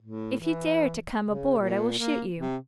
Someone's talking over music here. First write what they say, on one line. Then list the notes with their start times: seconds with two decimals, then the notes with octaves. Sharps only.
If you dare to come aboard I will shoot you.
0.02 A2
0.40 E3
1.26 C#3
1.59 A#2
1.98 A#3
2.39 C3